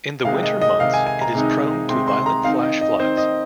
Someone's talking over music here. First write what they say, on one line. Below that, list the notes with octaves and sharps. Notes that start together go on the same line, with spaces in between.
In the winter months it is prone to violent flash floods.
C3 D#3 G#3 C4 D#4 F5
D#5
D#5
C3 D#3 G#3 C4 D#4 F5
G#5
G#5
A#5
C3 D#3 G#3 C4 D#4
C3 D#3 G#3 C4 D#4 C6
C6
A#5
D#3 C4 D#4 F5
D#5
D#5
D#3 C4 D#4 C5
D#5